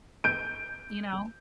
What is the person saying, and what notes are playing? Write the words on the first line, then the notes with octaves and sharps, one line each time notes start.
you know?
G6 D7